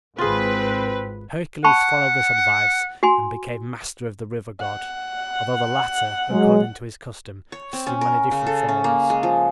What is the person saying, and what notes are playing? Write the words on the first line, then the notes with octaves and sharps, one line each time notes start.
Hercules followed this advice and became master of the river god, although the latter, according to his custom, assumed many different forms.
G#1 C4 F4 G#4 B4
F#5 A5 B5 C#6
F#4 G#5 C6
F#5
F#3 G#3
C#5
C4
C#4
A#4
C#3
A4
C#4
A#3
G#3
F3